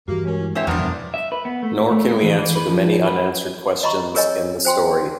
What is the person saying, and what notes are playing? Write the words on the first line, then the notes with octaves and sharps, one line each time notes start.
Nor can we answer the many unanswered questions in the story.
G2 E3 A#3 F#4 G4
G#3 C#4 A#4
E4
D2 C4 B4 C#5 E5 G#5
E2 F3 B3 D4 A#4
F#2 B2 G3
E5
B4
B3
A3
A3
G#3
E3
E3
B4
F3
B4
D#5 A#5 B5 C#6
G#4 A#4 C#5 D#5 G#5
C5 G5 C6